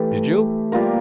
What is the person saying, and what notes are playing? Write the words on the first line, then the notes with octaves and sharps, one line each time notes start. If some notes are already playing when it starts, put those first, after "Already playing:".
"Did you...."
Already playing: E3 A3 G4
G3 A#3 F4 A#4